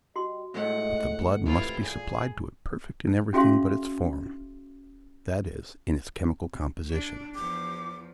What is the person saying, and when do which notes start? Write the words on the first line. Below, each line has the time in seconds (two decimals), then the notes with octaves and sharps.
But the blood must be supplied to it perfect in everything but its form--that is, in its chemical composition.
0.16 G3 F#4 D#5 C6
0.54 A2 G#3 A3 D#5 F#5
1.45 C3 E3 E4 F4
1.81 A#2 G#4
3.33 C#4 F#4 G#4 E5 F5 C6
6.91 D4
7.35 E2 F3 D6